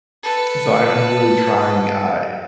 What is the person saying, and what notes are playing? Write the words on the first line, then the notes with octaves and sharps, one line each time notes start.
so, I I'm really trying, uh,
A4 B4